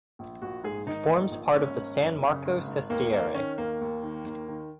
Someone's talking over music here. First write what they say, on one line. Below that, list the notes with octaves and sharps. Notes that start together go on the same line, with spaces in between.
It forms part of the San Marco sestiere.
A#1
A#1 F#4
G#2 G#4
D#3 D#4
A#1
A#1
G#1 C#4
G#1
F#2
C#3
G#1
G#1
D#2 A#3
D#3 A#3
D#3 C#4
D#2 A#3
D#2
D#3
D#2
D#3